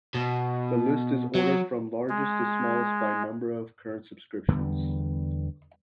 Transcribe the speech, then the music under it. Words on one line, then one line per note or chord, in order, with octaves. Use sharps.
This list is ordered from largest to smallest by the number of current subscriptions.
B2
F#3
G#3
E2 D3 G3 B3